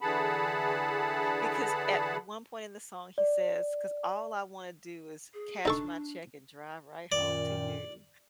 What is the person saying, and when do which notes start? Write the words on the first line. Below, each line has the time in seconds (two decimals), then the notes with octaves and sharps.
because at one point in the song, he says, "'Cause all I wanna do is cash my check and drive right home to you
0.01 D3 E3 G#4 F#5 A5 B5
3.18 D5
5.34 G#4
5.65 D4 D#4 A4 C#6
7.12 F#2 A#2 D#3 D5